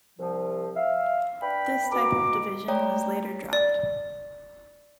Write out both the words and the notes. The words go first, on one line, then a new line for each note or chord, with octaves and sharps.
This type of division was later dropped.
C2 F3
E5 F5
D4 B4 G5 B5
B2 A#5 D6
A3 C#5 D5 G5 A#5
D5